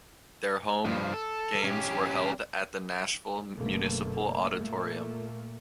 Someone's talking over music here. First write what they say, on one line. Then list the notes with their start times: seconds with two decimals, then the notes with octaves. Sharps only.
Their home games were held at the Nashville Municipal Auditorium.
0.85 G2 F3
1.14 A4
1.64 C#4 G4
3.57 F#1 B2 D3 A3 A#3
4.54 A#2 A3 A#3